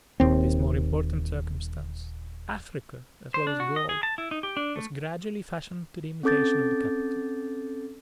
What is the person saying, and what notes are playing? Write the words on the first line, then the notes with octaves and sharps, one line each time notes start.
In this more important circumstance, Africa, as well as Gaul, was gradually fashioned to the imitation of the capital.
D#1 D#2 C4
C5
D4
F#4
D#5
G#4
A5
E4
D#4
G4
D4
A3
C4 C#4 A4 D6 G6 A6